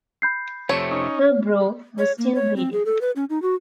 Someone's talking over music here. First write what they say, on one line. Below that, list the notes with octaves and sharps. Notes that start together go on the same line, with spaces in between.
Her brow was still bleeding.
B5 G6 C7
F2 C3 A3 C#5
C#4 D#4
C#5
A#3
C#5
C4
G#4
A4
B4
C#4
D#4
F#4